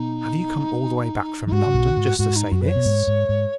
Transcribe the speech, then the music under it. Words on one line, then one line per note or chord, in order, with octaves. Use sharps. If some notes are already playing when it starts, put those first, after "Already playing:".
'Have you come all the way back from London just to say this?'
Already playing: B2 B3 D#4
F#3 D#4
G#2 G#3 F#4
C#3
B1 B2
G#2
G#2 F#4
D#4
F#2 F#4
B4
C#5
B2
G#2
G#2
G#2